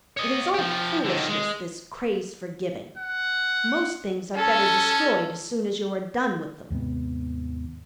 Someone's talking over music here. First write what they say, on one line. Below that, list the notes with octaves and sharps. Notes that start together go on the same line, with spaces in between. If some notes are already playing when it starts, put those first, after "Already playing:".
It is all foolishness, this craze for giving. Most things are better destroyed as soon as you are done with them.
C#5 D#5
F3 G4
D3 D#3
G#3
F#5
C#4 A4
D#2 G#2 C3 B3